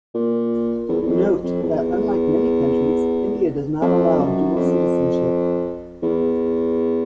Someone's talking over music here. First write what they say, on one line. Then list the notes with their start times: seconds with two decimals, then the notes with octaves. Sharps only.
Note that unlike many countries, India does not allow dual citizenship.
0.15 A#2
0.89 E2
1.02 E2
1.07 F2
1.44 F2
1.62 E2
3.82 F2
4.19 F#2
4.56 F2
6.03 E2